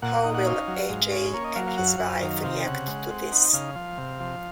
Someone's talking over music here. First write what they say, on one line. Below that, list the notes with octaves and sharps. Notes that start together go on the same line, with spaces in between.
How will Ajay and his wife react to this?
A#2 F#5
D#4
F#5
C#4 F5
F#3
G#2
C#4
A#3 C#5
D#5
F#3 F5
F5
F#2 F#5
F5
F#2 F#5
F5
D#3 F5
C3 F5
C#3 F#5
G#3
C4
D#4
C#3 F5
F3
C3
F3